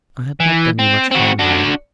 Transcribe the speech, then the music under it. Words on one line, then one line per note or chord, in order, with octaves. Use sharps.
I had not done you much harm, Harry.
E3
C4
C4 F#4
D4 F#4